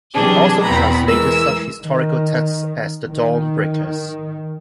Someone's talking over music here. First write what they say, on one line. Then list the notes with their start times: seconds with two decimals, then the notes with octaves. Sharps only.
He also translated such historical texts as "The Dawn-breakers".
0.14 C3 E3 F#3 G3 D4 G#4
0.63 E2 B2 B3 C4 A#5 B5
1.07 E3 G#3 A#4 E6
1.81 D#3
3.10 D#3